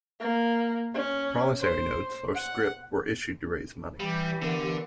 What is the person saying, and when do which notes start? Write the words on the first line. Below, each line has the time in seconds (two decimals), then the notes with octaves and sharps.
Promissory notes, or scrip, were issued to raise money.
0.20 A#3
0.94 C#4
1.61 C5
2.35 F#5
4.00 E3 G3 G4
4.42 D3 B3 A#4 F#5